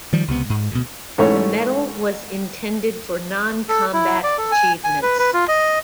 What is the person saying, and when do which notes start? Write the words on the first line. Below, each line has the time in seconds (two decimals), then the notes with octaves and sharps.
The medal was intended for non-combat achievements.
0.12 D#3 F3 G3
0.28 C#2 C3 B3
0.50 G#2
0.71 D2 B2
1.18 G#2 E3 A3 C#4 C#5
3.69 A4
3.93 E4
4.24 D5
4.38 A4
4.52 G#5
4.84 G#5
5.02 B4
5.19 B4
5.34 F4
5.48 D#5